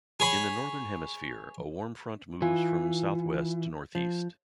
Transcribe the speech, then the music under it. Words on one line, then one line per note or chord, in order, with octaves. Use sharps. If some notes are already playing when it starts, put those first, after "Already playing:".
In the Northern Hemisphere a warm front moves from southwest to northeast.
G#4 C#5 B5
E3 F4 G#5
F3